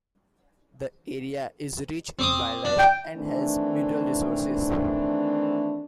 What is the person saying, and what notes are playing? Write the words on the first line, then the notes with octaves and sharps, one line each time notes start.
The area is rich in wildlife and has mineral resources.
C4 D6 D#6
D4
G5
D#3 E3 A3 C4 D4